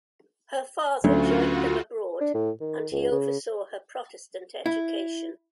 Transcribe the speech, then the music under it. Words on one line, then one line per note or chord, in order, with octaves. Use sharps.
Her father joined them abroad and he oversaw her Protestant education.
D2 F#3 C#4 D4 F4 F#4
D4
A2
D#3
C#2
C#3
E4